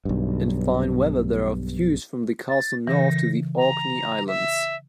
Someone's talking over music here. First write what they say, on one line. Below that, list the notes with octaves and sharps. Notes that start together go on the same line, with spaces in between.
In fine weather there are views from the castle north to the Orkney Islands.
B1 G2
A6
C#3 E3 A#6
A#5
E5